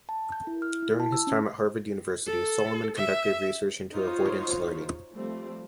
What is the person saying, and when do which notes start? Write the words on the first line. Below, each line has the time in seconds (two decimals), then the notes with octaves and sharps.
During his time at Harvard University, Solomon conducted research into avoidance learning.
0.09 A5
0.32 G6
0.47 E4
0.62 F6
0.82 E4
1.00 A5
1.12 E6
1.27 C#4
2.27 A4
2.96 E5
3.93 D#4 F4 F#4 C5 C#5
5.13 F3 G3 A3 C4